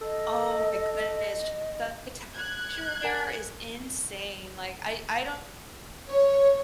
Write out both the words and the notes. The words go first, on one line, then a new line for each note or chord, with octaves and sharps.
oh my goodness, the architecture there is insane, like, I I don't
A4 D#5
F#6 G#6
A#4 F#5 G#5
C#5